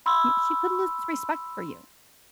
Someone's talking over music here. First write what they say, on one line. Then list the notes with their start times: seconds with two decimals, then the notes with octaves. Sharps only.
she could lose respect for you.
0.06 B5 C6 E6